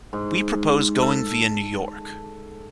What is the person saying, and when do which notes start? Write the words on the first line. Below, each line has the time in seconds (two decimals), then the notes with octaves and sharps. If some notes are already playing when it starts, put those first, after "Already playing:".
We propose going via New York.
0.13 G#2
1.02 A4